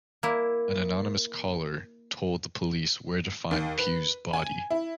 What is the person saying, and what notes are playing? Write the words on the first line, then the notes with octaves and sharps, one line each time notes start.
An anonymous caller told the police where to find Pue's body.
A#3 E4
D#2
B4
G#5
E4